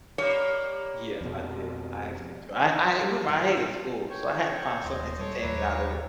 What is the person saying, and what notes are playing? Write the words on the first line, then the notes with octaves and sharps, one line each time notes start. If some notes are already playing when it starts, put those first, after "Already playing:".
Yes, I did, I actually enjoy I I remember I hated school, so, I had to find some entertainment out of it.
G3 A#3 C#5
F2 B2
G3
D#3
F4
C#5 G5 C#6
D#1 C5 D#5
G3 A4 C#5 C6 D6
D#2 F#3 B4 E5 A#5 D6